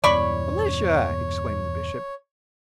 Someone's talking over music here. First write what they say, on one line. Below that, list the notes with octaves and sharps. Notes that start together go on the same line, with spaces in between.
"Felicia!" exclaimed the Bishop.
E2 G2 B2 C#5 D5 B5 C#6